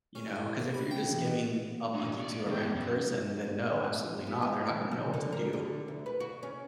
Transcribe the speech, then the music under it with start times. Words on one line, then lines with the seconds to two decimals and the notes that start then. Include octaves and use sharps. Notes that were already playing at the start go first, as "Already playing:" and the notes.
You know, 'cause if you're just giving a monkey to a random person, then no, absolutely not, they're not gonna know what to do,
0.15 C#4
0.36 A2
0.59 A#3
0.74 B5
0.91 G5
1.09 A1
1.25 B2
1.94 G2 D#4
2.18 C#5 D5
2.47 E2 G5
2.63 E2
2.75 F#2
4.27 B3
4.42 D#5
4.69 G#2
4.91 C#3
5.14 D3
5.33 A#4
5.53 D3
5.88 D2
6.06 B4
6.20 F#4
6.43 C#4